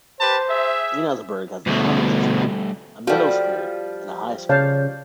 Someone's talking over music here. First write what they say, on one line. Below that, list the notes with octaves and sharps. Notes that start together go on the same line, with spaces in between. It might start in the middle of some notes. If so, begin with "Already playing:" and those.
Enosburgh has an elementary school, a middle school, and a high school.
G4 B4 C5 A5
G#4 E5
D2 G2 B2 A3
F3 G3 F#4 A4 G5
C#3 C#5 D5 F5 A5 G6